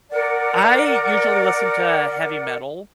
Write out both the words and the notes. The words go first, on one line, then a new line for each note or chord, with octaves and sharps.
I usually listen to heavy metal.
A#4 D5 F#5